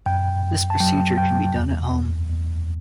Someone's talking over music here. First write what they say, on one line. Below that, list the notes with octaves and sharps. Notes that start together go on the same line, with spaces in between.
This procedure can be done at home.
F#2 G5
F#2
A5
F#3 G5
F#2 G5
E2
E2
E2